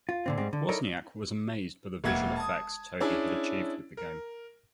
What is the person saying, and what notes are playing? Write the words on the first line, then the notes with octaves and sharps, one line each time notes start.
Wozniak was amazed by the visual effects Tobey had achieved with the game.
F4
A#2 D3 C4
G#2 G3 C4
D3
D#4 E4 A4 A#4 C#5 D5
E1 A#3 E5 F#5 G#6
A5 D#6
C#4 D4 E4 G#4 G#5
A#4